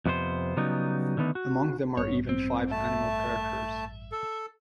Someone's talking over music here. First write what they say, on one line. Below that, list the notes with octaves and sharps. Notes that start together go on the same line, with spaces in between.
Among them are even five animal characters.
F2 C3 B3 F#4 C5
C#3 F#3 G3 B3 D#4
D3 D#3 A3 B3
F#4
A1 G2 C#5
C4
A3 E5 A5
A4